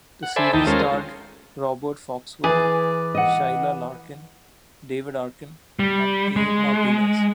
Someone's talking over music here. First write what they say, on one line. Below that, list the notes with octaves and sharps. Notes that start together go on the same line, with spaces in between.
The series starred Robert Foxworth, Sheila Larken, David Arkin, and A Martinez.
F#5
A4 C5 D5 E5 G#5 B5
D#2 D#4 G5 A5
G#3 C#4 F4 A4 A#4 C5
E3 G#4 B4 D5
D#5 F#5
G3
G#3